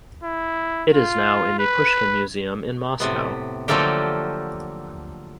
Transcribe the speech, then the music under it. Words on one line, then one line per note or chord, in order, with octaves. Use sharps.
It is now in the Pushkin Museum in Moscow.
E4
F4
B4
A2 C3 B3
D3 F3 F#3 A3 A#3 G4